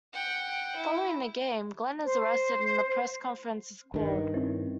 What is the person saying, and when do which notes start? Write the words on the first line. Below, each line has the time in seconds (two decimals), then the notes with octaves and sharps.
Following the game, Glen is arrested and a press conference is called.
0.13 F#5 G5
0.76 E4
2.03 C5
3.94 G2 D#3
4.34 C4 C#4 E4